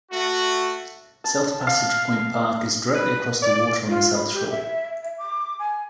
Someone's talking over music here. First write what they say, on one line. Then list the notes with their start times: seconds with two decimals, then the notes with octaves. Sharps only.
South Passage Point Park is directly across the water on the south shore.
0.12 A3 F#4
1.24 A5
1.67 F5
2.94 B4
3.42 D5
3.89 F4
4.15 B5
4.33 G4
4.50 E5
5.03 E5
5.18 D6
5.59 G#5